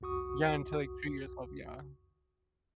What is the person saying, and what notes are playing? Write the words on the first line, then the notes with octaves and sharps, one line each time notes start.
Yeah, until, like, treat yourself, yeah.
C2 F2 F#4 C#6 D#6